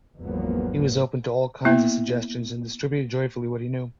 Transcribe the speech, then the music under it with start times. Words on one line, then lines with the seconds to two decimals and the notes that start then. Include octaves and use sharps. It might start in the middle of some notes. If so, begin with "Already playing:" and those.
He was open to all kinds of suggestions, and distributed joyfully what he knew.
0.23 G#1 E2 F3 F#3 A#3 B3
1.65 A#3 B3 E4 E5